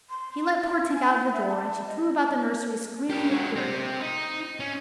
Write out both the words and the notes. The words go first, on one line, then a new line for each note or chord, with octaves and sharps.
He let poor Tink out of the drawer, and she flew about the nursery screaming with fury.
C6
E4
G#5
F#5
E5
A5
D#5
G4 A#4
G#3 F#4
C4 G4
D#4
C#4